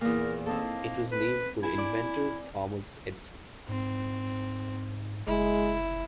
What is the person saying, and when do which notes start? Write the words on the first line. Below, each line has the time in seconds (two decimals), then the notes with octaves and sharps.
It was named for inventor Thomas Edison.
0.01 E2 A#2 A#4
0.46 A#3 C4 D#4 A4
1.12 B4
1.63 E4 G#5
1.78 D5
3.69 G#2 C4
5.27 F#1 G#3 E4